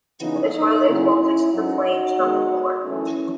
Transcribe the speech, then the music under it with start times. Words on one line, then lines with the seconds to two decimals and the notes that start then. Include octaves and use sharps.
The toilet is bolted to the flange, not to the floor.
0.20 C#3 E3 B3 D#4
0.54 D#4
0.86 D#2 C#3 F#3 C#4 E4
1.52 G#2 F#3 C#4 D#4 F#4
2.18 F#2 D#3 G#3 B3
2.84 F#2 E3 A3 C#4 E4